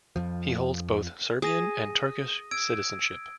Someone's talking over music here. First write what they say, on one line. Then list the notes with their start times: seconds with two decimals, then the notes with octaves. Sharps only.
He holds both Serbian and Turkish citizenship.
0.16 F2 F3
1.42 G#4 D#6 A#6 D#7
2.51 E6 G#6 D7